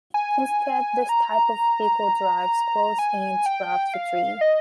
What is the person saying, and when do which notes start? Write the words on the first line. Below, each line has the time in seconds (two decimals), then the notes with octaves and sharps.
Instead this type of vehicle drives close and grabs the tree.
0.14 G#5
1.09 A#5
2.99 G#5
3.46 G5
3.94 F5
4.41 D#5